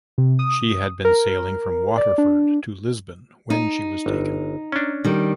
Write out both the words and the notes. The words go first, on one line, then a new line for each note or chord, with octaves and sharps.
She had been sailing from Waterford to Lisbon when she was taken.
C3
D#6
A#4
D5
D4
D#4
G1
C#4 D4
D#3 G3